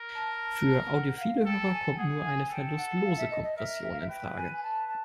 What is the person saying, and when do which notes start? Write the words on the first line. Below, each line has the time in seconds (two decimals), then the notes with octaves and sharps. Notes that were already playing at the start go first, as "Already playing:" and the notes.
Für audiophile Hörer kommt nur eine verlustlose Kompression infrage.
Already playing: A#4
0.14 A5
0.93 F#5
1.20 F5
1.46 A4 G5
1.73 G#5
1.94 G5
1.99 G#4 F#5
2.25 G#5
2.52 A4 G5
2.77 F#5
3.05 F5
3.17 E5
3.30 D#5
3.43 D#5
3.57 A#4 E5
3.83 E5
3.92 F5
4.01 E5
4.09 B4 G5
4.36 G#5
4.57 G#5
4.63 A5
4.89 A5